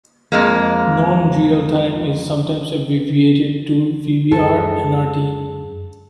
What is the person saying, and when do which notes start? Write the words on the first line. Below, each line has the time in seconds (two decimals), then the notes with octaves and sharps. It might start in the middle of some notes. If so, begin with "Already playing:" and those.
Non-real-time is sometimes abbreviated to vbr-nrt.
0.32 F2 G#3 A#3
4.32 F#2 F#3 G#3 G#4 A4